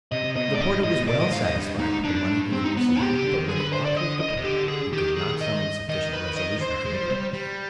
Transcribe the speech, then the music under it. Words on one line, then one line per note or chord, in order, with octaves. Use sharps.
The porter was well satisfied with the money he had received; but when he ought to have departed, he could not summon sufficient resolution for the purpose.
C3 D#5
C3
B2 D#5
G#2
D5
G2 D#5
G#2
G#2 D#5
B2
B2 D5
G#2 D#5
G#2 F5
G#2 D#5
G2
G#2 D#4
G2 D4
C4
D#4
B3
B3
G#2 G4
C3
D3
D#3
D3 G#4
B4
C5
D5
D#5
D#5
C3
D3 G4
G#4
D#3 G4
G#4
D#5
D#3 D#5
B4
D#5
C5
G#3
G3
F3
G3
G3